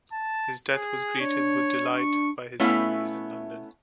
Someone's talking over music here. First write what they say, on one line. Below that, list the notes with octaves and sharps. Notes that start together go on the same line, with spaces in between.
His death was greeted with delight by his enemies in London.
A5
G#4
D4 C#5
C#6
A3 B3 C#4 E4 F5